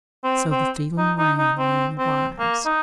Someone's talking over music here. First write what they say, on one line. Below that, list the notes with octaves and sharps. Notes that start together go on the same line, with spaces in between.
So the feeling ran among the wives.
C4
C4
D#4
D#4
D#4
C4
C4
A#3
D#4